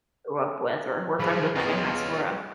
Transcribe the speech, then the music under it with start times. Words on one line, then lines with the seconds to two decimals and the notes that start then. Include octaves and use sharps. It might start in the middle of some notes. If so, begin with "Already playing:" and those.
grew up with or were friends with, like, in high school or, uh
1.20 E3 F3 G#4 B5
1.56 B3 F4 C#5 D#5